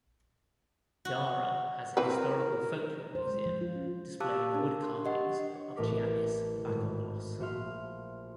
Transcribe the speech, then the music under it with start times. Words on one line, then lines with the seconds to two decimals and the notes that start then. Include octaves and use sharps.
Dara has a historical folklore museum displaying the woodcarvings of Giannis Bakopoulos.
1.05 F#4
1.97 E3 C4 A#4 B4
3.15 C5
3.27 G#3
3.46 F3
3.61 F4
3.75 C#4
4.20 G4 F5 A5 D6 E6 F#6
4.37 E6
4.55 D4 A#4
4.83 C6
5.04 D4 G4 D#5 F#5
5.55 C#5
5.76 A1 A2 A3 A#4 D6 B6
6.67 G#1 A2
7.39 A#1 F4 F#4 E5 C6 F6